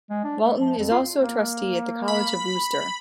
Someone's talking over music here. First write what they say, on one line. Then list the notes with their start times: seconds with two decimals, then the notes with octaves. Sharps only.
Walton is also a trustee at The College of Wooster.
0.10 G#3
0.24 D4
0.43 A3
0.60 F3
0.79 F2
0.91 F4
1.19 A#3
2.08 B5